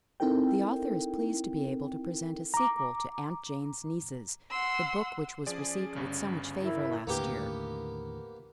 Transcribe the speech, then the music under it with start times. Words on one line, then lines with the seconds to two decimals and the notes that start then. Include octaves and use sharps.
The author is pleased to be able to present a sequel to "Aunt Jane's Nieces," the book which was received with so much favor last year.
0.20 C4 D#4 E4 A4 A#4 G5
2.54 A#5 D6
4.50 F#5 C6 E6
5.47 F3 C#4 G#4 D5
5.95 G1 G2 C#3
6.62 E4 A#4
7.07 D#2 A2 D3 A#3 B3 G4